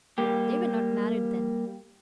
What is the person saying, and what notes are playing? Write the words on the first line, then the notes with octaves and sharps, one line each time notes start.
They were not married then.
G3 A#3 G4